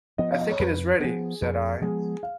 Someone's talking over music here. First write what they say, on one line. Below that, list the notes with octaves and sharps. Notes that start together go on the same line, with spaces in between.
"I think it is ready," said I.
F3 B3 D#5
F5
D#5
C#5
F2 B4
F3 B3 G#4
F2 G#4
F3 G#3 B3 G#4
F5